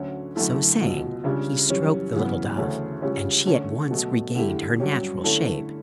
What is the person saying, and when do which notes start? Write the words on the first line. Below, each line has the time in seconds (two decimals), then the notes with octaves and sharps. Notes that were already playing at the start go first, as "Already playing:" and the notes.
So saying he stroked the little dove, and she at once regained her natural shape.
Already playing: D2 D3 F#3 C#4 F#4
0.36 F#2 D3 A3 E4
0.80 C#2 B2 F#3
1.24 C#2 C#3 G3 D4
1.69 F#2 E3 G3 C#4
2.13 F#2 C#3 E3 B3
2.57 D2 C#3 E3 A3 C#4
3.02 C#2 C#3 G3 C#4
3.46 D3 A3 C#4
3.91 B2 F#3 A3
4.35 D3 A3 E4 G4
4.80 G2 F#3 C#4 G4
5.24 D3 A3 C#4 E4 A4